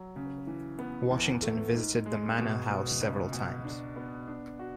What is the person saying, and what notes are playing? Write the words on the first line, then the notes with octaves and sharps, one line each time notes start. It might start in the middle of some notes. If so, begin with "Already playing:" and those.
Washington visited the Manor House several times.
Already playing: F#3
C#3
E3
B3
E2
A3
G#2
G#3
B2
B2
C#2
B2
D4
B3
D4
F#4